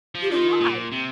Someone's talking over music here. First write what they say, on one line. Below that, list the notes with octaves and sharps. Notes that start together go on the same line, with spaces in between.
"But why?"
F3
G4
D#3 F4
A#2
C3